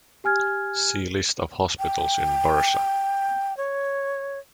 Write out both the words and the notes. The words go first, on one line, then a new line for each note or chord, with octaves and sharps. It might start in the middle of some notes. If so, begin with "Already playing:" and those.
See List of hospitals in Bursa.
G4 G#5 F6 G#6
G5
C#5